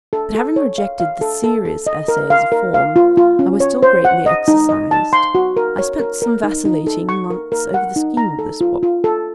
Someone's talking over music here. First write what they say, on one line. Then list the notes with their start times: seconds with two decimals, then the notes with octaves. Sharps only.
But having rejected the "serious" essay as a form, I was still greatly exercised, I spent some vacillating months, over the scheme of this book.
0.13 A4
0.35 A4
0.56 C#5
0.78 F5
1.00 F5
1.21 A4
1.44 A4
1.65 A4
1.87 D#5
2.08 A#4
2.30 F5
2.52 A#4
2.74 F5
2.96 F4
3.17 F4
3.39 C#4
3.60 C#5
3.83 C5
4.05 F#5
4.26 D#5
4.48 D#4
4.69 D#5
4.91 A5
5.13 C6
5.35 F#4
5.57 A#4
5.78 C#5
5.99 A#4
6.22 A#4
6.43 D#4
6.65 D#4
6.87 A4
7.09 C#6
7.30 A#4
7.52 A#4
7.74 F#5
7.96 D#4
8.17 A#5
8.39 A4
8.61 F4
8.83 F4
9.04 A4